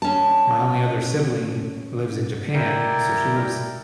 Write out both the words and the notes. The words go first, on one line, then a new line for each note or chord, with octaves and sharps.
my only other sibling lives in Japan, so, she lives
C#4 A5
E4 A#4 D5 G5